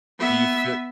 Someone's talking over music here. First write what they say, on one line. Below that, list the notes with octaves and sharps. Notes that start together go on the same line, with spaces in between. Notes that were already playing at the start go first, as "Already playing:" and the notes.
Do you fee
B3 E5